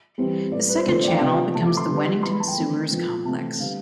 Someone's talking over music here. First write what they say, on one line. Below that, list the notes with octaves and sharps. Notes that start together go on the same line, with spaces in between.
The second channel becomes the Wennington Sewers complex.
E3 G3 C4
A2 G3 B3 D5
B4
C5
D3 F3 A3 C4 B4
C5
D5
G5
F5
C3 F3 B3 G5
C3 E3 A3 C4 A5
D6
C6
D3 G3 B3
E3 B3 C6
B5
A5
G5
E3 A3 C4
A2 F3 B3
C3 E3 A3 C4 A5
D3 G3 B3 F5